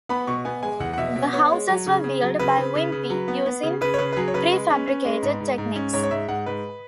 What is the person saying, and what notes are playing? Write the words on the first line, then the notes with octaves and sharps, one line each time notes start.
The houses were built by Wimpey, using prefabricated techniques.
B3 B5
B2 C#6
B3 G#5
G#3 G#5
E2 F#5
F#5
B2 E5
B2
B3 C#5
G#3
F#3
C#3
C#3
F#3
C#3 B4
C#3
C#3
C#3
F#3
B3
B3
C#3
C#3 B4
C#5
C#3 B4
B4
F#3 G#4
C#5
C#3 B4
G#3
C#4
C#4
G#3
G#2
G#2
G#2
C#4
G#2 C#5
C#5
G#2 E5
G#2 F#5
G#2 B4